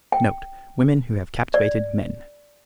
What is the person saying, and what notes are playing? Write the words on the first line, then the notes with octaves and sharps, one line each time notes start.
Note, Women who have captivated men.
G5
D5